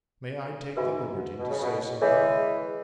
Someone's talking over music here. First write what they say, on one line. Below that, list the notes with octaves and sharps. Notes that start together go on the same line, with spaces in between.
'May I take the liberty to say something?'
G#2 F#4 B4 E5 G#5 B5
B2
C#3
B2
E3 G#3 G#4 C#5 G#5